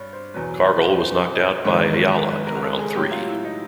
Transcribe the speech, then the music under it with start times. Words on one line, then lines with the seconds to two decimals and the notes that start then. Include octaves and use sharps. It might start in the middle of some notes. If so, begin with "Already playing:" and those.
Cargle was knocked out by Ayala in round three.
Already playing: G2 C#5 D5
0.13 C5
0.34 E2 B2 F#3 B4
0.99 C5
1.64 G#2 D#3 F#3 C#5
2.30 B4
2.47 A#4
2.62 A4
2.79 G#4
2.95 A2 F#3 G4
3.12 F4
3.28 E4
3.44 D#4